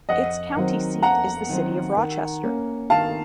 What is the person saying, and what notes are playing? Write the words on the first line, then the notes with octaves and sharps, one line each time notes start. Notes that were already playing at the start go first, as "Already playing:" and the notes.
Its county seat is the city of Rochester.
F2 D#5 F#5
D#3 F#3 C4
F2 F#5 A#5
D#3 F#3 C4
D#3
A#3 C#4
D#3 F5 A5